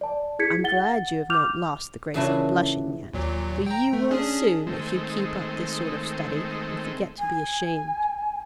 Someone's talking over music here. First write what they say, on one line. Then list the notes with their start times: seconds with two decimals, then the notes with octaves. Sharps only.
'I'm glad you have not lost the grace of blushing yet; but you will soon, if you keep up this sort of study and forget to be ashamed.
0.01 D5 A5
0.39 E4 G#4 G#6 B6 C#7
0.64 F#5 A6 G7
1.30 D6 F6 G6 F7
2.14 A#2 C#3 E3 D4 E4 F#4
3.13 D#2 A#2 F#3
3.66 G5 A#5
3.93 A3
4.11 C#4 D4 G#4
4.67 D#3 G#3 A3 C4
7.19 G#5